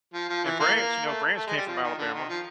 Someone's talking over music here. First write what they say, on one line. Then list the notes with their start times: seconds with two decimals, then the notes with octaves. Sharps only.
And Branch, you know, Branch came from Alabama.
0.14 F3
0.29 F3
0.44 E3
0.60 A#3
0.75 A#3
1.06 A3
1.37 A3
1.47 G#3
1.57 G3
1.67 F3
1.83 D#3
1.98 D3
2.14 D#3
2.29 F3